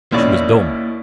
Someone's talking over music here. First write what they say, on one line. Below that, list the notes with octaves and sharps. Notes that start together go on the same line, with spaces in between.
'She was dumb.
D#2 B2 A#3 C#4 E4 D5